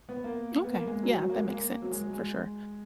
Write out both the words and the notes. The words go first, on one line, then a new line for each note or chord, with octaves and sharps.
Okay. Yeah, that makes sense, for sure.
B3
A#3
B3
A#3
G#3
F#3
F#3
A#3
G#3
A#3
F#3
G#3
F#3
G#3